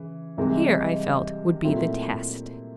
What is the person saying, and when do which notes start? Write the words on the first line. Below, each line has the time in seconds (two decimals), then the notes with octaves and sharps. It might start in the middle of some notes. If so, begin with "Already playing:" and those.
Here, I felt, would be the test.
Already playing: C#3 E3
0.37 C2 C3 E3 G#3 C4
1.64 A#2 F#3 A3 C4 E4